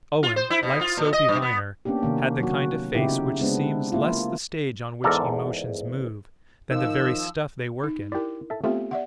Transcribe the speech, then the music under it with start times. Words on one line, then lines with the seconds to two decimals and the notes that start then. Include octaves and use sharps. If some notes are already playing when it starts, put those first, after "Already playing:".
Owen, like Sophy Viner, had the kind of face which seems less the stage on which emotions move than the very stuff they work in.
0.23 F4
0.36 C5
0.50 E4
0.63 B2
0.81 F4
0.97 A#2
1.13 D#5
1.28 G2
1.42 B3
1.85 A#3 B3 C#4 D4 G4
2.03 C3 D#3 A#3
2.41 F#3 F#4
2.94 C#3 B3 D#4 E4 G4
3.41 G#3 B3 C4 D4
3.92 A#3 E4 F4
5.04 E2 G#2 A4 A#4 D5
6.70 D#3 F3 E6
7.84 D#4
8.12 E4 G4 A#4 D5
8.50 A4 E5
8.64 A3 B3 C4 F4 G4 E5
8.91 D5 E5 F#5